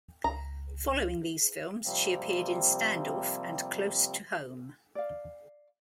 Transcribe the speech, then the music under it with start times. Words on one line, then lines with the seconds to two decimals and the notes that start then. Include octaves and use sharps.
Following these films, she appeared in "Standoff" and "Close to Home".
0.24 C#2 A#5
1.85 C3 F3 G3 A#3 C4
4.95 D5 F5